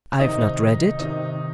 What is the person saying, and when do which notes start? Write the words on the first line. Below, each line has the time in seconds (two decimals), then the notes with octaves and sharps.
"I've not read it."
0.19 C3 D#3 D#4
0.99 C3 D#3 D#4